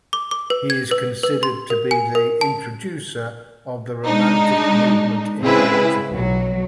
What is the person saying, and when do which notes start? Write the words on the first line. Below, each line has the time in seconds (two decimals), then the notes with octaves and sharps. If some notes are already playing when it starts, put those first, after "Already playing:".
He is considered to be the introducer of the Romantic movement in Portugal.
0.13 D6
0.31 D6
0.50 B4
0.70 G#6
0.91 B4
1.23 B4
1.43 C6
1.70 A#4
1.91 G#5
2.15 A#4
2.41 A5
4.05 G#3 D4 D#4
5.42 C#3 G#3 C4 E4 G#4 B4
6.13 B1 F#3